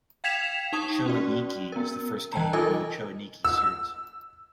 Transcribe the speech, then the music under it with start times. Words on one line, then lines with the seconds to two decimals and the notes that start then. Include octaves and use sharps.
"Cho Aniki" is the first game in the "Cho Aniki" series.
0.24 F5 G5 G#6 B6 E7 F7
0.73 D#4 A5 C#6 D#6
1.06 C#4 F#4 D5
1.72 B3 A#4
2.33 E3 G5 A5 A#5
2.53 D#4 F4 A4 A#4 D#5 G#5
3.45 E6